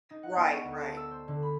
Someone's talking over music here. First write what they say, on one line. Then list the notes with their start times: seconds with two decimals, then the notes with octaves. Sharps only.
Right, right.
0.10 D#4
0.23 F#5
0.36 B3
0.52 C#6
0.64 D2
0.81 A5
0.97 E6
1.11 C5
1.28 D3
1.43 B5